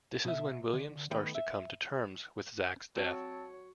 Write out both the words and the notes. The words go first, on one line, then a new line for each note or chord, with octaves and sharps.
This is when William starts to come to terms with Zach's death.
B2 E5
D3
D#3 A3 B3 G5
E5
C4 F#4 C#5 A5